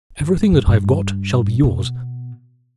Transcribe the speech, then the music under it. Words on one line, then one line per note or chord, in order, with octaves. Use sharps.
Everything that I've got shall be yours.
G2
G2
G2
B2